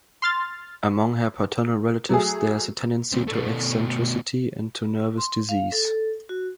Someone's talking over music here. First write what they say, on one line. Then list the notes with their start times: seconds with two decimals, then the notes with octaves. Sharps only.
Among her paternal relatives there is a tendency to eccentricity and to nervous disease.
0.22 C6 F6 A6
2.09 F#3 A3 G#4
3.12 D2 C3
3.28 B2 A3
5.18 C6
5.49 F5
5.72 A4
6.29 F#4